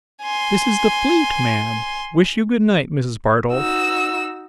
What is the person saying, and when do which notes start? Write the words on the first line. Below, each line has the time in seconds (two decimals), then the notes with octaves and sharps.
This is the Fleet, ma'am. Wish you good-night, Mrs. Bardell.
0.22 G#5 C6
3.54 D#4 F#4 E6